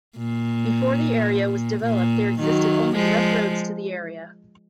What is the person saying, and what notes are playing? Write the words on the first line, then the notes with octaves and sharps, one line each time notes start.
Before the area was developed, there existed only rough roads to the area.
A#2
A#2
D#3 F#3
F3 G#3